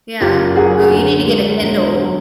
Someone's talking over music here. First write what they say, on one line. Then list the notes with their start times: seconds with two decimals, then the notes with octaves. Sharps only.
Yeah, ooh, you need to get a Kindle.
0.20 F#1 F4 G4
0.56 F#3 F#4 G#4
0.91 D2
1.26 G#3
1.61 E1
1.96 F#3